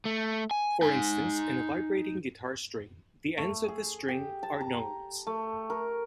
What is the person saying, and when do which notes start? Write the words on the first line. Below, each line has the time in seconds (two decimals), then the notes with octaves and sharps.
For instance, in a vibrating guitar string, the ends of the string are nodes.
0.05 A3
0.51 G#5
0.82 D#4 G#5
3.37 A3
3.68 G#4
4.08 G4
4.43 A5
4.61 A#5
5.27 A3
5.70 A#4